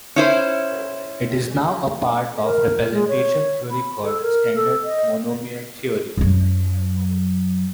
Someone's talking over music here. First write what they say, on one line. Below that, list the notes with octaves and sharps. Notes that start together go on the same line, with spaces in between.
It is now a part of representation theory called "standard monomial theory".
C#4 E4 C5
A#4
G#3
C#5
B5
A4
A#4
A4
D#5
F#2 F#3